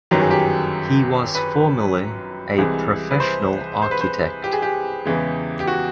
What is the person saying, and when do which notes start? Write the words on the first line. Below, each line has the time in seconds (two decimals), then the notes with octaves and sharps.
He was formerly a professional architect.
0.11 G1 F#2 D#3 F#3 G4
0.21 G#4
0.31 G4
1.35 B4
2.58 C2 C3 E3 G#3
3.11 B4
3.20 C5
3.82 C5
3.91 B4
4.01 C5
4.44 G4
4.53 G#4
4.62 G4
5.05 E2 C#3 E3 G#3
5.60 G4
5.67 F#4